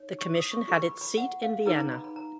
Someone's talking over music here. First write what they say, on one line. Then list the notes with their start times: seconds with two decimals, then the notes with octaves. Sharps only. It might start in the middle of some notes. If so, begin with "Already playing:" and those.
The commission had its seat in Vienna.
Already playing: D#4 C#5
0.19 C#6
0.35 D#6
0.52 C#6
0.68 F4 G#4 B4 C#6
0.85 B5
1.01 B5
1.17 F#5
1.42 F5
1.66 D#4 G#4 B4 A#5
1.79 A#5
1.92 B5
2.04 B5
2.16 A#5